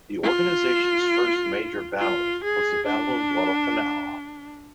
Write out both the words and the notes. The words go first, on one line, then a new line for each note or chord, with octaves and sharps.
The organisation's first major battle was the Battle of Guadalcanal.
F4
F4
G#4
D4